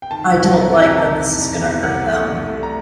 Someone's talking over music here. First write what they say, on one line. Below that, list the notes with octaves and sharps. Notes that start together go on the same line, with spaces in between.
I don't like that this is gonna hurt them
G5
D#3 A5
C2
A5
C3 A#5
C2
A#5
D#3 A5
C2
C2
C2
C2 F#5
A3
C2
A3
A#5